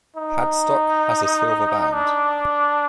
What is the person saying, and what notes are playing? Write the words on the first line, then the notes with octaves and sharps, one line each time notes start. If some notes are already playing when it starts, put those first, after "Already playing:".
Hadstock has a silver band.
D#4
D4